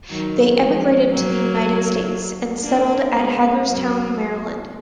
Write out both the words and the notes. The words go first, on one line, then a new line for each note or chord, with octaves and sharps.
They emigrated to the United States, and settled at Hagerstown, Maryland.
D#3 F#3
F3 G#3
F#3 A#3
A#3 D4
G#3 B3
F#3 A#3